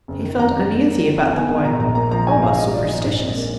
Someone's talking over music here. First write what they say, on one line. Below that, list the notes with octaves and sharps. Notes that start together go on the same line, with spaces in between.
He felt uneasy about the boy--almost superstitious.
F#1
D#3
F2 A#5
F#1
D#4
A#3
D#3
F2 A#5
B3 G#5
G#3
A#2 A#5
A#1 A#5
A#3 A#5
F3 A#5
G#2 G#5
A#1 F5
G#3 D#5
F3 D5
G#2
A#1
F2
A#3